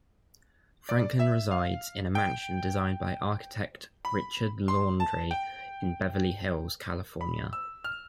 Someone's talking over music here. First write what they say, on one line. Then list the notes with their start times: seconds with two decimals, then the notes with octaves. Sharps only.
Franklin resides in a mansion designed by architect Richard Landry in Beverly Hills, California.
0.89 D5
1.19 E5
1.51 F5
2.15 G5
4.05 B5
4.68 C6
5.00 A5
5.31 G5
7.21 B5
7.53 E6
7.84 F6